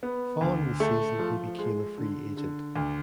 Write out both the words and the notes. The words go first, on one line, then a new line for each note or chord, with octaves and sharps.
Following the season, he became a free agent.
B3
D2
A3
F3
G#3
D3
D3
D2